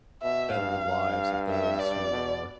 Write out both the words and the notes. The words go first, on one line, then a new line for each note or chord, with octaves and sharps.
better the lives of those who are
B2 E5
G2 F5
G2
E5
D5
B2